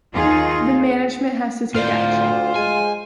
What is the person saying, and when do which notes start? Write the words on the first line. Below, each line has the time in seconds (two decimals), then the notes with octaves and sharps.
The management has to take action.
0.14 D#2 D#4 F4 G#4
1.74 A2 F4 C5 D5
2.09 D2
2.56 G#3 G#5